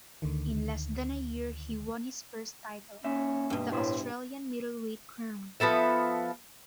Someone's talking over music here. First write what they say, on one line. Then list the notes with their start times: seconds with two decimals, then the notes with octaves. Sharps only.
In less than a year he won his first title, the Australian Middleweight crown.
0.22 D2 D3 D#3
3.04 A#2 C#4 E5
3.50 G2 B2
3.71 A2 E4 B4 C5
5.60 F3 B3 A4 E5